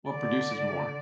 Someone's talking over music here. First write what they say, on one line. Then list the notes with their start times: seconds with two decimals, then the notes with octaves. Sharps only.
what produces more?
0.10 D3 D5